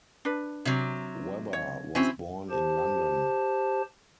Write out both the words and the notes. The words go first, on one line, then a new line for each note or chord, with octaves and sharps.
Webber was born in London.
D4 B4
C3 F#3
C#5
C4 C#4 E4 F#4 G#5
G4 C5 A5